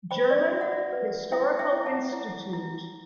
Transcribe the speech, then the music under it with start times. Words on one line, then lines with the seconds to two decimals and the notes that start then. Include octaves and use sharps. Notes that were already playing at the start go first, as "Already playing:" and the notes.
German Historical Institute.
0.11 C5 G5 B5
0.31 D5
0.52 F#4 E5
0.61 F#5
0.72 E5
0.93 B4
1.32 E4 E5 G5
1.59 E5 G5
1.73 E4
1.86 F#5 A5
2.13 E4
2.53 E4